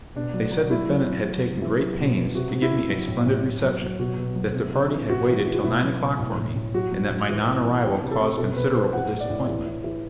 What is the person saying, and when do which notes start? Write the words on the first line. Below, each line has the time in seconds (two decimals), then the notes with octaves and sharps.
They said that Bennett had taken great pains to give me a splendid reception, that the party had waited till nine o'clock for me, and that my non-arrival caused considerable disappointment.
0.16 B2 D4
0.34 F#3
0.52 F#3
0.71 F#3 E4
0.89 F#3
1.07 F#3
1.25 E3
1.44 C3
1.62 E3
1.80 F#3
1.99 B2
2.17 B2
2.35 C3 F#4
2.53 C3
2.62 E4
2.72 C3
2.90 F#3 E4
3.08 A2
3.27 A2
3.44 A2
3.63 F#3
3.81 F#3
3.99 B2 F#4
4.17 B2
4.36 F#3
4.54 C3
4.73 C3
4.91 E3
5.10 A2 F#4
5.27 E3
5.46 E3
5.55 F#4
5.64 B2 E4
5.83 F#3
6.01 B2
6.19 A2
6.37 A2
6.56 A2
6.74 F#3 F#4
6.92 F#3
7.11 A2
7.29 E3
7.46 A2
7.66 E3
7.84 E3 G4
8.02 C3
8.11 A4
8.20 C3
8.38 B2 A4
8.56 B2 B4
8.74 B2 C5
8.93 E3 F#5
9.12 A2
9.20 D5
9.30 A2
9.47 E3
9.66 E3
9.84 E3